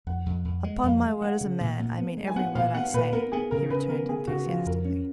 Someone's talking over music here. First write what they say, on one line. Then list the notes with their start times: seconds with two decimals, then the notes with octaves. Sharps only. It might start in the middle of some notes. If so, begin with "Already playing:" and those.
"Upon my word as a man, I mean every word I say," he returned enthusiastically.
0.07 F2 F#5
0.26 F2
0.45 F2
0.64 G#3
0.83 F2 F5
1.02 G#3
1.21 G#3 F#5
1.41 C#3
1.61 A#2
1.80 A#2
1.99 B3
2.18 G#3
2.27 G#5
2.36 B3 F#5
2.55 A#2 F5
2.74 B3 F#5
2.94 A#2 B4
3.13 B3 A#4
3.32 B3 G#4
3.51 C#3 A#4
3.70 C#3 B4
3.89 B3 A#4
4.09 B3 G#4
4.27 C#3 F#4
4.47 F3 F4
4.66 F2 A#4
4.85 C#4